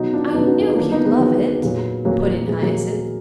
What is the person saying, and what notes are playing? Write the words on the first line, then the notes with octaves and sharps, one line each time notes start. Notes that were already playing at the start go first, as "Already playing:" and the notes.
"I knew he'd love it," put in Hyacinth.
Already playing: B2 F#3 D#4 F#4
D4 F4
D4
B2 F#3 B3 D#4
F#4
F4
D#4
D3 F#3 A#3 D4
B3 D#4
G#3 B3
D3 F#3
A#2 F#3
A#2 F#3 A#3
F#3 A#3
A#3
A#2 F3 G#3
F#3 A#3